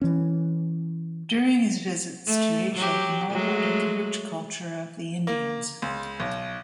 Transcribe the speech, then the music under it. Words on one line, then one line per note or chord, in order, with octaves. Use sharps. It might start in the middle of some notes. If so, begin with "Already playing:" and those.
During his visits to Asia he marvelled at the rich culture of the Indians.
E3 C#4
A3
F#3 G4
F#3 G#3 A3
A#3
C#2
B1